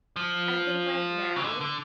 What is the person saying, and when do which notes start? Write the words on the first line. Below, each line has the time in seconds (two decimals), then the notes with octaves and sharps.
I think, like, now,
0.16 F3
1.36 C#3
1.44 D3
1.61 D3